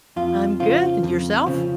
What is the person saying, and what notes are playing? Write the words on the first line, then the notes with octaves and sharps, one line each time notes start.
I'm good, and yourself?
F2 F4
C#3 F3 F4
F2
C#3 F3